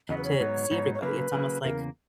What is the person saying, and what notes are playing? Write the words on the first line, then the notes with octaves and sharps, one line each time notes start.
to see everybody, it's almost like
E2 C#3 F#3 B3 D#5
B4
C#5
G#2 F#3 B3 D#4
G#2 F#3 B3 D#4
C#5
C#3 F#3 A#3 B4
C#3 F#3 A#3
E2 C#3 A#3 A#4